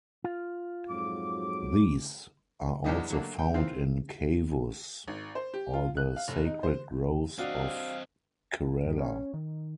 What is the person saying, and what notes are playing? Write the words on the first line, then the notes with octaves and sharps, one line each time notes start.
These are also found in ""Kavus"" or the Sacred Groves of Kerala.
F4 F5
F2 G#2 F#3 D6
E2 E3 F#3 G3 D4 D#4
F#3 A3 A#3 D4
G5
D#3 E3 C4 F4
G#1
C5
G4
F4
F#6
F5
F1
D#4
C5
C4 D4 F#4 D5 D#5 F5
G2
C#4
D#3